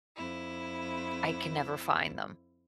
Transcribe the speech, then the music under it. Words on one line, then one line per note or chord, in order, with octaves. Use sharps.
I can never find them.
F2 E4